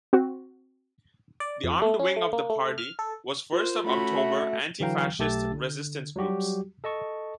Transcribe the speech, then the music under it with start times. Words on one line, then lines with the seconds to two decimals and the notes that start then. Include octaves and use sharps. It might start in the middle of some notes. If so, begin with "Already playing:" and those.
The armed wing of the party was First of October Anti-Fascist Resistance Groups.
0.13 C4 F#4
1.40 D5
1.64 F2
1.82 A3
1.99 C#4
2.17 A3
2.33 A#3
2.50 A3
2.78 F6
2.99 A4
3.53 F4 A#4 C5
3.85 A3 C#4 F#4 B5
4.17 E5
4.80 D3 E3 F#3 F5 G5 A#5
5.19 B1 A3 G4 A5 E6 A6
5.52 D3
6.16 F#3 G3 F#4 G4
6.84 A4 D#5 A5 C#6